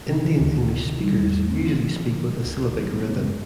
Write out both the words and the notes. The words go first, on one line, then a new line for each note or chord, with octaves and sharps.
Indian-English speakers usually speak with a syllabic rhythm.
C3
D#3
D2
D2
C3
D#3
G3
E2
A3
C4
F4
F3
D3
F3
G#3
D2
E3
G3
B3
C#3
G#3